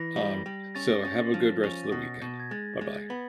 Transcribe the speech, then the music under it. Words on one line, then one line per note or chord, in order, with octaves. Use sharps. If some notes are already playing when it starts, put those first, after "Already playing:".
Um, so have a good rest of the weekend. Bye-bye.
Already playing: E3 A#6
G3
G3
C#4 A6
A#6
C#4 A6
F3
C#4
A6
B2 A#6
B2
G#6
G#3 A6
G#3
B3